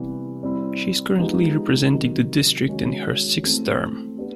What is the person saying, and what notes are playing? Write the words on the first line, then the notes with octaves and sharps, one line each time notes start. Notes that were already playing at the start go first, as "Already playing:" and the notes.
She is currently representing the district in her sixth term.
Already playing: C3 E3 G3 B3
G3 C4 E4
F3 G#3 B3 D#4 G4
C3 D#3 F#3
D#3 G#3 C#4 F#4
E3 A3 C4
B3 D4 G4